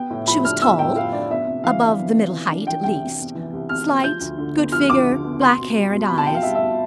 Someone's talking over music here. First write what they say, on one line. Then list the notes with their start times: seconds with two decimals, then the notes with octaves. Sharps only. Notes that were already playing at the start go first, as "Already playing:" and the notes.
"She was tall, above the middle height, at least; slight, good figure, black hair and eyes."
Already playing: B3 G5
0.10 A2
0.27 F3 B5
0.45 D4 F6
0.61 B3 E6
0.78 A2 G5
0.96 F3 F5
1.12 D4 D5
1.30 B3 E5
1.47 C3
1.64 E3 F5
1.81 D4
1.98 B3
2.15 C3
2.33 E3
2.50 D4
2.67 E3 G5
2.83 C2 G5
3.02 C3
3.18 B3
3.35 E3
3.53 C2
3.69 C3 F6
3.87 B3
4.04 F3 G6
4.20 D2
4.38 D3
4.55 B3
4.72 F3 F6
4.89 D2 D6
5.06 D3
5.24 B3
5.40 C4 C6
5.58 B2
5.75 G3
5.91 B2
6.08 C4 B5
6.18 A5
6.26 B2 G5
6.35 F5
6.43 G3 E5
6.55 E5
6.60 B2